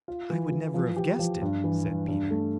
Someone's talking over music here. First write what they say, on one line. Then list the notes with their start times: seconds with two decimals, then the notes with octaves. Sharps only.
"I would never have guessed it," said Peter.
0.08 F4
0.30 E3
0.52 E3
0.74 F3
0.96 G4
1.19 F3
1.42 G2
1.64 E3
1.86 G2
2.08 G2
2.31 A3